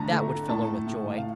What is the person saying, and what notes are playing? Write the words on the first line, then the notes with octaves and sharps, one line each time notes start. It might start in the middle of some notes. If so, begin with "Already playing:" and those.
"That would fill her with joy."
Already playing: A2 D3 A5 A#5
A3
A2 A5
A2
F5